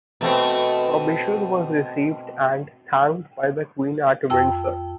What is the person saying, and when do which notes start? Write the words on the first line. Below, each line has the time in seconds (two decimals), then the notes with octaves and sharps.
Frobisher was received and thanked by the queen at Windsor.
0.21 B2 A3 C4
4.30 F2 G5 E6